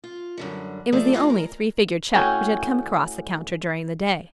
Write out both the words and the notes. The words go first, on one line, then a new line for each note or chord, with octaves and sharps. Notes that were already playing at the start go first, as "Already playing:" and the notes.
It was the only three-figure cheque which had come across the counter during the day.
F4
F#2 D3 G3
F2 F3 A3 G#4 A4 D5
E4 F4 G4 G#4 D#5
A#4
A2 C#4 F#4 G5 G#5